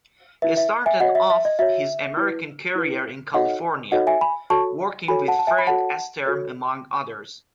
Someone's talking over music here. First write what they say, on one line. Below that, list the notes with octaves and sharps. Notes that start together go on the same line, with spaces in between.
He started off his American career in California, working with Fred Astaire among others.
E4 B4 E5
E5
E5 G#5
F#4 C#5 D#5 F#5
E5
E5
D#5
F#4 C#5 E5
E4 B4
E4 B4
D#4 F#4 A4 C#5 D#5 F#5
D#4 F#4 A4 C#5 D#5 F#5
E5 G#5
G#5 B5
F#4 A4 C#5 A5 C#6
F#4 A4 C#5 G#5 B5
F#5 A5
A5
E5 G#5
B5
F#4 A4 C#5 F#5 A5
F#4 A4 C#5